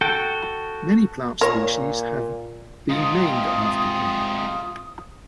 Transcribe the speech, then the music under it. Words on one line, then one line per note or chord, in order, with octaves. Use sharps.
Many plant species have been named after him.
F#4 A4 G5
A#2 A#4 C#5
G#2 C3 F4 D#6